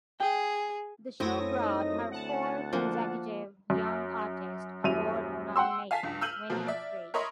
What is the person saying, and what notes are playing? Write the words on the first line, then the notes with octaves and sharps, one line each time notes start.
The show brought her four consecutive Young Artist Award nominations, winning three.
G#4 G5
F#2 A3 C4 E4 C#5 D#6 A#6
D#4
D2 F#5 A5
F3 A#3
F#2
D#1 F#2 E4 D#7 F7
F#5 G5 C6 E6
F5 G#5 A5 B6
C#2 G2
E6 F6 G6 D#7 F#7
B2 F3 F#3 A#3
D5 E5
A#4 C#5 D#5 E5 B5 C6